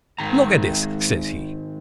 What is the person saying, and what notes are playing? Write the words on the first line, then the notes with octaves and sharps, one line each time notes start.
Look at this, says he.
G#2 D#3 G#3 A#5